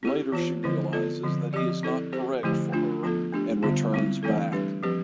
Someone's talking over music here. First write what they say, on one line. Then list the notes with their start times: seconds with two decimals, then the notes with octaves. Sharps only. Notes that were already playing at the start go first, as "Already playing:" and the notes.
Later she realises that he is not correct for her and returns back.
0.03 C4 E4 G4
0.32 E3 B3 F4 C5
0.63 D3 F3 C4 E4 B4
0.92 B3 F4 A4 D5
1.23 D3 F3 C4
1.53 F3 C4 G4 D5
1.83 C4 E4 A4 D5
2.12 C4 G4 C5
2.43 D3 F3 A3 E4 G4
2.72 A3 D4 F4
3.03 F3 B3 F4 A4
3.32 A3 D4 G4
3.62 D3 G3 B3 F4
3.93 G3 C4 E4
4.23 E3 A3 C4 E4 A4
4.53 G3 D4 G4 B4
4.83 F3 C4 G4 B4